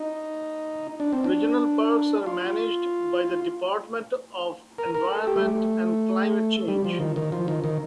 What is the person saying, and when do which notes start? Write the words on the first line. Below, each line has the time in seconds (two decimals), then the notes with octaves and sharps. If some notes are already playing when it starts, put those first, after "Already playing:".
Regional Parks are managed by the Department of Environment and Climate Change.
Already playing: D#4
1.00 D4
1.13 C4
1.24 D4
2.26 F4
4.78 A#4
4.95 A#4
5.11 A4
5.27 G4
5.36 G3
5.42 A3
6.68 G3
6.84 F3
7.00 D#3
7.16 D#3
7.32 F3
7.48 D#3
7.64 D#3